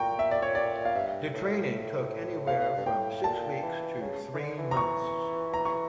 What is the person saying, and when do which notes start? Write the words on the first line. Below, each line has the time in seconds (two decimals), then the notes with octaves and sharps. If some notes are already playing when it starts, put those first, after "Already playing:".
The training took anywhere from six weeks to three months.
Already playing: A#2 G5 A#5 C#6
0.19 E5
0.31 D5
0.42 C#5
0.55 D5
0.85 F5
0.95 G2 E5
1.34 A2
1.71 A2
2.47 A2 F5
2.77 G2
2.86 A2 G5
3.24 A#2 A5
3.62 E3
4.01 C#3
4.33 E3
4.39 D3
4.58 E3
4.71 A#5
4.77 C#6
5.54 A#5
5.65 C#6